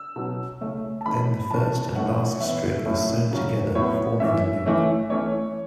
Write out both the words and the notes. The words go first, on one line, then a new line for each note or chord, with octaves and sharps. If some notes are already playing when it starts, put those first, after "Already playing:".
Then the first and last strip are sewn together, forming a loop.
Already playing: E6
B2 F#3 C#4
C#3 A3 C#4
A5
E3 A3 C#4 B5
E3 C#4 A5
A5
E3 A3 C#4 F#5
C#5
E3 B3 E5
A2 F#3 A3 C#4
C#3 F#3 C#4
A2 F#3 B3 C#5
E3 C#4 E5
E3 A3 C#4
E3 A3 C#4 C#5